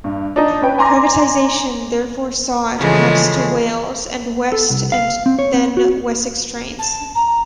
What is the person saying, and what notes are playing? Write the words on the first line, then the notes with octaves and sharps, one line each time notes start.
Privatisation therefore saw it pass to Wales and West and then Wessex Trains.
G2
D4 D#4
C#4 B4 G5
G#5 A#5 C6 D6 A#6
C#3 E3 F3 G#3 A3
A4
C2
F5
C4
C#5
C4
F#4
A5
A#5